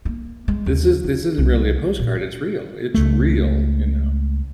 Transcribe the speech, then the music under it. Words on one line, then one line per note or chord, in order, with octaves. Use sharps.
this is this isn't really a postcard, it's real, it's real, you know.
A#3
G#3
D#2
D#4
C2
A#2
C#2 A3